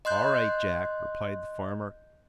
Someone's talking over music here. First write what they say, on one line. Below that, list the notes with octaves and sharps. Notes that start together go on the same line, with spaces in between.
"All right, Jack," replied the farmer.
D#5 C6 F#6 G6